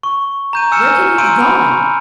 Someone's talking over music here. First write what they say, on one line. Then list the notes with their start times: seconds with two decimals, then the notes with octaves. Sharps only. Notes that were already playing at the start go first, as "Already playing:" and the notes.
Where can he have gone?
0.03 C#6
0.53 A#5 G6 D#7
0.71 G#5 E6 F6 C#7 D#7 E7
1.18 A#5 C6 E6 G6 D7 D#7
1.40 B5